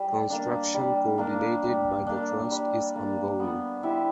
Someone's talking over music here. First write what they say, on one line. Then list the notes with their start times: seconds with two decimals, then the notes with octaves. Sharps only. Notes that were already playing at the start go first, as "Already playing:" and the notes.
Construction coordinated by the trust is ongoing.
Already playing: G3
0.30 A#3 D4
0.74 G3
1.18 A#3 D4
1.62 G3
2.07 A#3 D4
2.51 G3
2.96 A#3 D4
3.40 B3
3.83 E4 G4 C5